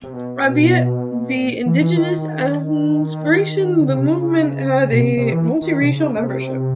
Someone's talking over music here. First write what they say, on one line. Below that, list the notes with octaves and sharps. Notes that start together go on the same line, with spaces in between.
Albeit of indigenist inspiration, the movement had a multirracial membership.
C3
B2
A#2
E3
E3
D#3
D3
C#3
C3
C#3
B2
C3
C3
E3
D#3
C3
C#3
C#3
C3